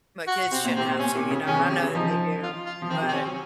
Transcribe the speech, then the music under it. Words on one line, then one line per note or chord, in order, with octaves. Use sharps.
My kids shouldn't have to, you know, and I know that they do, but
F#4
C3 C4
A#2
C3 C4
A#2 C#4
C3
C#3
D#3 C#4
C#3
C3
C#3
F3 D#4
F4
F4
F3
D#3 C4
C3
C4
C#4
F#3